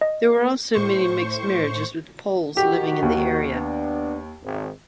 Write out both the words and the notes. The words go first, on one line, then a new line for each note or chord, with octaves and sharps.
There were also many mixed marriages with Poles living in the area.
D#5
A2 C5 C#6
A#1 D#3 F#4 G4
D#2
B3 D4
G#1